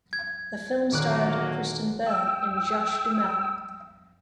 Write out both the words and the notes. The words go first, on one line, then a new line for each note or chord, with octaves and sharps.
The film starred Kristen Bell and Josh Duhamel.
G#6
D#1 D3 F#3 A#3 D6 F#6
G5 E6